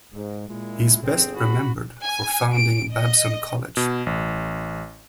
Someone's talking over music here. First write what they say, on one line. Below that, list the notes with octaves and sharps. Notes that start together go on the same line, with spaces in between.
He is best remembered for founding Babson College.
G#2
A#2 G#3 E4
G1 C4 G#4
F#4 B5
G#5
D7
D#5
B2
A1